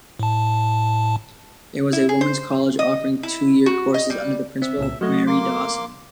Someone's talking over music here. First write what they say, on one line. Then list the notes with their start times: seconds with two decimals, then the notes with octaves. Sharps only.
It was a women's college offering two year courses, under the Principal Mary Dawson.
0.19 A2 A5
1.93 E4
2.09 G#4
2.21 C5
2.79 D#5
3.23 E4
3.66 F#4
3.94 D#5
4.10 G3
4.62 C4 E5
4.78 C2 A#2 E6
5.01 F#3 A3 F#4 D#5
5.27 A#3 C6 D6